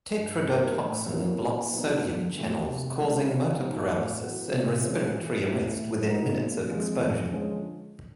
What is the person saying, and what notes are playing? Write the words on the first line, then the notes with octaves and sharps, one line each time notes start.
Tetrodotoxin blocks sodium channels, causing motor paralysis, and respiratory arrest within minutes of exposure.
G2
D#3 G3 A#3
A2
F#3 A#3 C#4 E4
A#2
F#3 B3 D#4
D3
F#3 A3
C3
D#3 G#3 C#4 F4
C#3
F#3 B3 D#4
A2
F#3 B3 E4
C3
E3 G#3 C#4 F4
E3
A3 C#4 E4
A2
F#3 A#3 D#4
A#2
F3 G#3 C4
F2
D3 F3 G#3 C#4